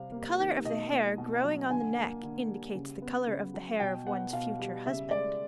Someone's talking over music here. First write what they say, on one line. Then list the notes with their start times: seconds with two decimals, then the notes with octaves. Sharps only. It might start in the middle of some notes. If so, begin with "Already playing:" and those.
The color of the hair growing on the neck indicates the color of the hair of one's future husband.
Already playing: C3 G3 F5
0.12 A#3
0.39 D#3
0.65 B2 D#5
0.91 A#3
1.18 B2
1.44 F#3
1.70 D3 G#5
1.97 A#3
2.23 D3
2.49 G3
2.75 C#3
3.02 B3
3.27 C#3
3.54 F#3
3.80 B2 G5
4.07 B3 F#5
4.33 B2 F5
4.59 G3
4.86 C#3 E5
5.11 G#3 D5